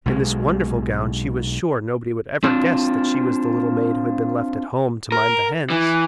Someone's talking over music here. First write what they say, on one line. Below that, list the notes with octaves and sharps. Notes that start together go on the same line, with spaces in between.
In this wonderful gown she was sure nobody would ever guess that she was the little maid who had been left at home to mind the hens.
B1 B2 D#3 G#3
C4 D4 F4
A#4
E3